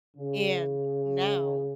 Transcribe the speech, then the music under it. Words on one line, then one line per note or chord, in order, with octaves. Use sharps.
and now,
C#3